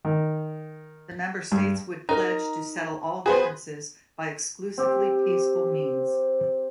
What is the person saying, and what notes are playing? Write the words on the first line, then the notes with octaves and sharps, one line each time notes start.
The member states would pledge to settle all differences by exclusively peaceful means.
D#3
G2
D#4 A#4 A#5
B3 F#4 G#4 B4 C5
C4 G4